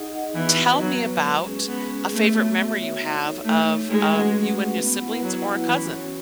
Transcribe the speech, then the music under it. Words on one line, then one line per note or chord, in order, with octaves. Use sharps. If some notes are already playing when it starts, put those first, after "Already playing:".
Tell me about a favorite memory you have of, um, you and your siblings or a cousin.
Already playing: D#4 G#4 D#5 F#5
G#4 D#5 F#5
E3 B3
F#4 B4
F#3 B3
F#4 B4
G#3
C#4 G#4 B4
G#3 B3
C#4 G#4 B4
A3 B3
F#4 C#5 E5
B3
F#4 C#5 E5
D#4
A4 C#5
A3 D#4
A4 C#5
G#3 A3
C#4 F#4 B4 F#5
A3
C#4 F#4 B4 F#5
B3
E4 B4 F#5
F#3 B3
E4 B4 F#5
E3 C#4
F#4 C#5